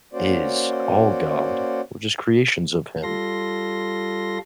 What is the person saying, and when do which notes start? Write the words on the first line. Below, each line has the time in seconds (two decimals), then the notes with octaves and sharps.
is all God, we're just creations of him,
0.13 A#3 C#4 F#4 C5 D5
3.03 G3 F4 A4 C6 A#6